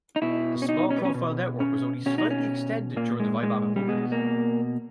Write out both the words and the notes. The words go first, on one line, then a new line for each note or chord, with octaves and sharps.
The small profile network was only slightly extended during the Weimar Republic.
D#4
B2 E4
C#4
D#4
C#4
B3
C#4
B2
C#4
B2 C#4
D#4
C#4
A#2 A#3
G#3
G#3
G3
B2 G#3
A#3